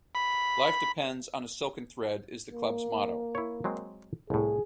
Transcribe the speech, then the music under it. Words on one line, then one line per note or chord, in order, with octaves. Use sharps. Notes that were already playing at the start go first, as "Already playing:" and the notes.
"Life depends on a silken thread" is the club's motto.
B5
A#3
E4 C#5
F#3 G#3 C4
C2 A2 G#4